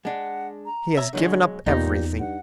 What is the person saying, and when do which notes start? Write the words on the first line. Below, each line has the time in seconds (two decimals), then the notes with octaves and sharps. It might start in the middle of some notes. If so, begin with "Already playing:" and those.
He has given up everything.
0.05 G#3 D4 F#5
0.66 A#5
0.97 C#5 E5 A#5
1.13 B1 D3 F#3 G#3 C#5
1.66 E2 A#2 D#4 G4 D#5
2.19 G2 F#5